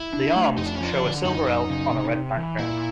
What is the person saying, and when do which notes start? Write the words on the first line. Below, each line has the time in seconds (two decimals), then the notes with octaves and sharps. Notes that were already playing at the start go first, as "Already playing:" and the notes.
The arms show a silver elk on a red background.
Already playing: E4
0.13 D4
0.36 A3
0.57 F2 D#4
0.66 D4
0.75 C#4
0.80 F3 D4
1.03 D3
1.25 F#2 D#4
1.47 F#2
1.70 C#3
1.92 C3
2.14 C3
2.37 E3
2.59 A#2 E4